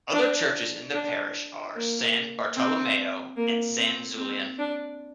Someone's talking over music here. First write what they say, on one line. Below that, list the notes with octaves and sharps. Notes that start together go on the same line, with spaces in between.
Other churches in the parish are San Bartolomeo and San Zulian.
D4
D4
A#3
C4
A#3
C4
C4
D4